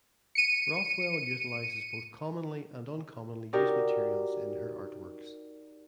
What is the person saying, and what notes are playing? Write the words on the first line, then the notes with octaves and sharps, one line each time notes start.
Rothwell utilises both commonly and uncommonly used materials in her artworks.
C#7 D#7
D#4 F#4 G4 A#4 D5